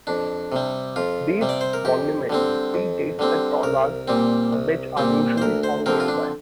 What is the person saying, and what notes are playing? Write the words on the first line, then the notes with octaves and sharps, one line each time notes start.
These monuments pre-date the taulas, which are usually found nearby.
F2 D4
C3 G3
F2 F4
C3 G3
D5
C5
A#4
F2 G4
D3 G3 C4
F2
D3 G3 C4
C2 A#4
A#2 G3 C4
C2
A#2 G3 C4
C5
D2 A#4
C5
D3 F3 C4 A#4
F4
D4